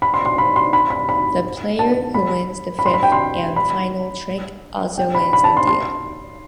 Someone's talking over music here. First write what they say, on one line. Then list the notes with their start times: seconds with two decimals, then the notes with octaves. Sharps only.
The player who wins the fifth and final trick also wins the deal.
0.02 B5
0.14 C6
0.26 C6
0.38 B5
0.56 C6
0.73 B5
0.90 B5
1.09 B5
1.79 A5
2.14 B5
2.79 B5
2.86 C6
2.94 B5
3.03 G5
3.12 C6
3.56 B5
4.98 G5
5.15 B5
5.33 B5
5.44 A5
5.57 C6
5.67 C6